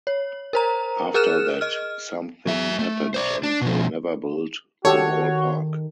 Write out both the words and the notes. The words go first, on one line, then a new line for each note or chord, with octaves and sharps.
After that, something happened, and they never built the ballpark.
C#5
A#4 C5 A#5
G#4 A#4 F6 F#6 E7
D#5 F6
F#3 E5
A3
C5 D5
D4
B2 F3
D#3 F#4 G4 A4 C#5